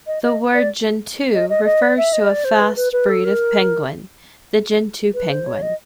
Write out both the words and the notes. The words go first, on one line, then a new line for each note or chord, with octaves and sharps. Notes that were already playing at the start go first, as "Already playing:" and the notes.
The word "gentoo" refers to a fast breed of penguin, the gentoo penguin.
D#5
D#5
D5
D#5
D#5
D#5
D5
E5
D#5
D5
C5
B4
B4
B4
A4
A#4
B4
C5
C#5
D#5